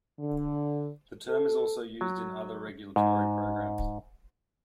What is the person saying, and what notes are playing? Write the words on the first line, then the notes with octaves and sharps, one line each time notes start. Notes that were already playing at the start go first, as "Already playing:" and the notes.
The term is also used in other regulatory programs.
D3
A4
F#3
G#2